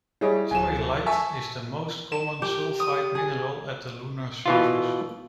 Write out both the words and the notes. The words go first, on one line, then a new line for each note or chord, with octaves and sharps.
Troilite is the most common sulfide mineral at the lunar surface.
G3 E4 G#4 C#5 D#5
D1 G#5 E7
A3
E5 G#5 A5 C#6
E7
G4
D#6
G#4
B2 E3 F4